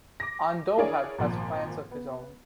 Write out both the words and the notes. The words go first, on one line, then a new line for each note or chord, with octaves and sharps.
Andoheb has plans of his own.
D6 A#6
D4 E4 G#4 A#4 C#5 D5
G#1 A#2 F3
B3